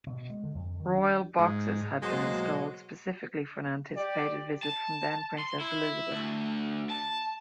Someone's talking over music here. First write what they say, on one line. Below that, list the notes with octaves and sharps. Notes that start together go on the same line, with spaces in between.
'Royal boxes' had been installed specifically for an anticipated visit from then-Princess Elizabeth.
B2
G#3
D3
F2
D#3
D4
G#2
B2 F#3 G#3 A#3 F#4 C5 F#5
G4 D5
A5
C6
E4
D2
A5